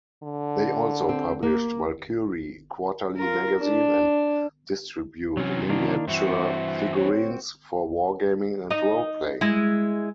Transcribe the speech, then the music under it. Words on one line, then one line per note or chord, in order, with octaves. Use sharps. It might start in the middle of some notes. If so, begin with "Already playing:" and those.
They also published Valkyrie Quarterly magazine and distribute miniature figurines for wargaming and role-playing.
D3
C4
A#3
F4 A#4
D4
C3 E3 F#3 C#4
D#3 A#3 D4 E4
G2 E3 C4 F#4 E5
C#5
D#4 D#5
G#3 E4